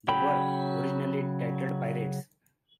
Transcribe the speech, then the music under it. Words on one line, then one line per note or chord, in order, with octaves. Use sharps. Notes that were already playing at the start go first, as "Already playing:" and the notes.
The work, originally titled Pirates!
C#3 F#3 G5 B5